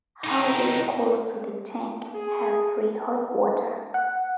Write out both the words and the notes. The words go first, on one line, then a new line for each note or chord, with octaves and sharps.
Houses close to the tank, have free hot water.
A2 D#4
G#4
F#5